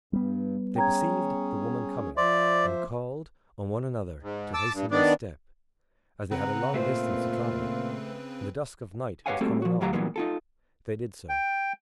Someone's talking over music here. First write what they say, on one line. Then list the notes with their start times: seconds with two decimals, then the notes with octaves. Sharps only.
They perceived the woman coming, and called on one another to hasten their step as they had a long distance to travel, and the dusk of night was coming on. They did so.
0.13 G2 G3 B3
0.76 C#4 G#4 C#5 G5 A#5 G#6
2.17 F3 C5 D5 E5 C6 D6
4.22 G#2
4.54 A5 D6 E6
4.73 G2
4.91 D#3 B3 D4 D5
6.31 C#3 C4 B4 F#5 A#5
6.74 A#2 A3 F4 C5
9.26 G4 B4 C#5 F5 F#5 G#5
9.41 G3 A3 A#3 C4 F#4 A4
9.62 F3 F#4
9.81 D2 A2 F#3 G4 F5 A#5
9.93 A#2 E3 F#3 G3 A#3 B3
10.16 D#4 F4 A4
11.29 G5